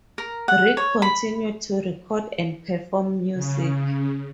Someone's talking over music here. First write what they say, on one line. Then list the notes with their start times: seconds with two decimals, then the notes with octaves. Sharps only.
Rick continued to record and perform music.
0.18 A#4
0.48 F#5
0.77 C#5
1.02 B5
3.34 C#3